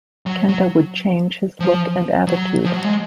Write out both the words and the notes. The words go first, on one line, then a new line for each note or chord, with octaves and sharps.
Kenta would change his look and attitude.
F#3
F#3
F3
F#3
F3
F#3
G#3